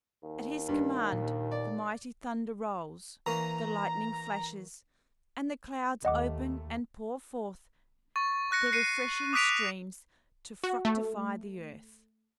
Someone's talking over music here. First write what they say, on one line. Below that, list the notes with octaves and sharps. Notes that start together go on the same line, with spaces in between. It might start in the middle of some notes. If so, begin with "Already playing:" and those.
At his command the mighty thunder rolls, the lightning flashes, and the clouds open and pour forth their refreshing streams to fructify the earth.
D#2
G2
A#2
D5
E3 A#3 C#4 A#5
D#2 A3 D#5 F#5 D6
C#6 A6
C#6 F#6 A#6 C#7
C7 C#7 D#7
D6 D#6 F#6 B6 D7 F7
F#4
A3